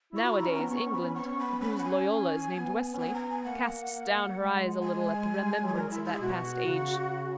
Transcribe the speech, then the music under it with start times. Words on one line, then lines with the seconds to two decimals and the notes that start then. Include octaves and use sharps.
Nowadays England, whose Loyola is named Wesley, casts down her eyes a little at the remembrance of that past age.
0.12 E4 C#6
0.24 F#4 B5
0.35 E4 A#5
0.47 C#4
0.54 B3 A#5
0.69 B3 C#6
0.81 C#4
0.92 B3 B5
1.03 C#4
1.14 B3 C#6
1.25 C#4
1.36 B3 B5
1.61 C#4 B5
1.78 F#5
1.84 G#5
2.53 B3
2.94 C#4
2.99 B3 G#5
3.14 A#5
3.30 G#5
3.44 A#3 F#5
4.37 G#3
4.83 G#5
5.62 F#3
5.68 G#4
5.74 G#3 A#4
5.90 E4
6.05 E4
6.13 G#4
6.21 B2 F#4
6.66 C#3